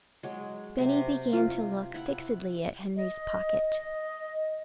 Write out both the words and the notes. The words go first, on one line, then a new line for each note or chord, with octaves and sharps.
Benny began to look fixedly at Henry's pocket.
F#3 G#3
C3 F#4
F4
E4 F#5
D#5
D#5